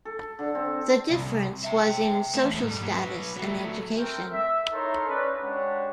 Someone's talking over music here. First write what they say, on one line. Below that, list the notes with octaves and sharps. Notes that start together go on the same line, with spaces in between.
The difference was in social status and education.
A4
D3
C4
C2
E5 G5
E2 A3
G#2 G3
F#3 B4
F#3 A3
A3 C4 A#4 G5
E5
D#4 E4 A4 A#4 C#5 C6
C#4 B4 D5
G#3 D4 G4 C#5 F#5